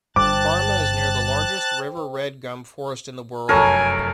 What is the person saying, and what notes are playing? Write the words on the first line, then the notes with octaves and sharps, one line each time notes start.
Barmah is near the largest river red gum forest in the world.
G1 G2 C5 G5 A5 D6 F#6 A6
F1 F#2 A4 A#4 C#5 G#5 A5